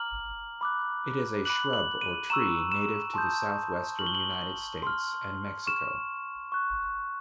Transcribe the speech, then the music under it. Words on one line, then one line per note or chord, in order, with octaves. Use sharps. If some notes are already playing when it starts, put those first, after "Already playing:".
It is a shrub or tree native to the southwestern United States and Mexico.
Already playing: A#5 D6 F6 F#7
B5 D6 F#6
B5 D6 F#6 F#7
F#7
D#7
A#5 C#6 E6 E7
E7
A5 C6 D#6 G6
C#6 F6 F#7
G7
F#7
C6 F6
C#6 F6 E7
C#6 F#6